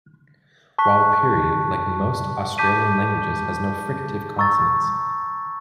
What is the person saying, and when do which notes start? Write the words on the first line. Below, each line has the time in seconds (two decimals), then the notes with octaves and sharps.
Warlpiri, like most Australian languages, has no fricative consonants.
0.78 A5 C#6 F#6 B6
2.58 A5 D6 G6 B6 D#7
4.38 A#5 C#6 E6 A6